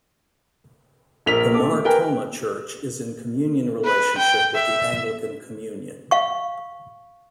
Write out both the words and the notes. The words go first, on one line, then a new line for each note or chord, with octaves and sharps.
The Mar Thoma Church is in communion relationship with the Anglican Communion.
A#1 A#4 B6 F7
A4 D6
A3
A#4 B4 G5 G#5
B4
G5
E5
F5 C#6